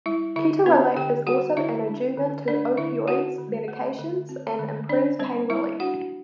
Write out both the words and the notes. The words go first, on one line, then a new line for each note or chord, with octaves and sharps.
Ketorolac is also an adjuvant to opoids medications and improves pain relief.
G3 E4 E5
D3 E4 E5
B3 D4 B4
D3 G4 G5
G3 F#4 F#5
D3 E4 E5
D4
D3
A3 D4 D5
D3 E4 E5
C4 F#4 F#5
D3
A3
D3
C4
D3
D4 D5
G3 C4 C5
G3 E4 E5
D4 F#4 F#5